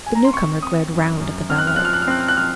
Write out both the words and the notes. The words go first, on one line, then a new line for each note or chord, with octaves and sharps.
The newcomer glared round at the valet.
G#5
A#5
C6
C4 C#6
C4 D#6
F#2
F#2
C4 F6
F#6
F6
F3 F#6
F6
F#6
F6
C4 F#6
F6
F#6
F3 F6